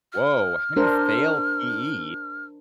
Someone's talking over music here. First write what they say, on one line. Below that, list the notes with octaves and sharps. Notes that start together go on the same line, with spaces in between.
Woah! How do you fail PE?
F6
D4 A#4 C5